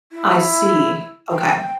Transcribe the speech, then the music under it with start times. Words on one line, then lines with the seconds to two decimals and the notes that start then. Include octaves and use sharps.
I see, okay.
0.12 E4
1.32 G5